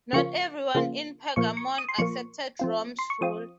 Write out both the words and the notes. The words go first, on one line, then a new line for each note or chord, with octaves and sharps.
Not everyone in Pergamon accepted Rome's rule.
C#3 F3 A#3 F4 C#6
C#3 F3 A#3 F4
A#2 F3 A#3 C#6
C#6
D#6
C6
A#2 F3 A#3 C#6
F3 C4 F4
C6
C#6
F3 C4 F4 D#6